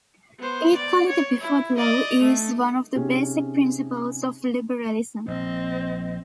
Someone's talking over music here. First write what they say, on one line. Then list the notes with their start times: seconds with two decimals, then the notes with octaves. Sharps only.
Equality before the law is one of the basic principles of liberalism.
0.40 B3 C5
0.76 D5
1.09 C#5
1.40 E4
1.78 D5 D#5
2.20 A3
2.95 C3 C#4 D#4 G4 G#4
5.28 A#1 C4 D#5